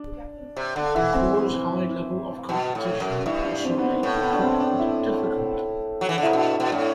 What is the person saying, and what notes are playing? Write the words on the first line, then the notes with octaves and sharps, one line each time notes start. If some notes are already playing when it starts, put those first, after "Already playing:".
The corps' high level of competition also made recruitment difficult.
Already playing: D4
C3
D3
E3 E4
C4
C4
C4
B2
A2
F#2
G2 E4
D4
C4
B3
C4
A2 B3
B3
D4
C4
D4
E4
F#3
E3
D3
C3 E4
B2 D4
B2
A2 D4